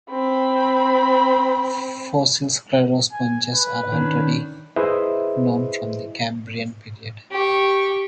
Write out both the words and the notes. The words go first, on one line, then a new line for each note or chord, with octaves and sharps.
Fossil sclerosponges are already known from the Cambrian period.
C4 B5
G#5
B4
D#3 C#4 D4
E4 G#4 B4 C5 D#5 E5
G4 C#6